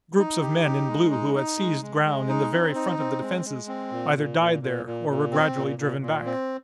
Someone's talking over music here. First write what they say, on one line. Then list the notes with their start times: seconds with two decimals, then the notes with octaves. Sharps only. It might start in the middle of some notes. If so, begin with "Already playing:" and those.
Groups of men in blue who had seized ground in the very front of the defenses either died there or were gradually driven back.
0.18 D#4
0.42 G4
0.65 D#4
0.88 G#3
1.11 D#4
1.35 D#4
1.58 G#3
1.82 G#3
2.05 G#3
2.29 D#4
2.52 C4
2.75 D#4
2.99 C4
3.22 G#3
3.45 G#3
3.68 C4
3.92 A#2
4.16 A#2
4.39 A#2
4.62 A#2
4.86 A#2
5.09 A#2
5.32 C4
5.56 A#2
5.79 A#2
6.02 A#2
6.25 C4